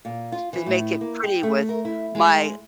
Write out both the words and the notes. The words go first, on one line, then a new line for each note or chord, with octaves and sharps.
then make it pretty with my
A#2
F4
E3
A2
A#3
G4
A3
A#4
E4
G#3